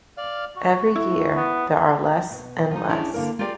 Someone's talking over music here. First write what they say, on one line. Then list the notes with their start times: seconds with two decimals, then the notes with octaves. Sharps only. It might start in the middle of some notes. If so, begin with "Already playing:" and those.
Every year there are less and less.
0.17 D5 F5 F6
0.56 F#4
0.95 E4
1.36 B3
2.31 B2
2.71 F3 D#4
2.89 C#4 D4 E4 G#4 C#5
3.14 D3 A#3 A#4
3.39 F4 G4 G#4 A#4 D5 F5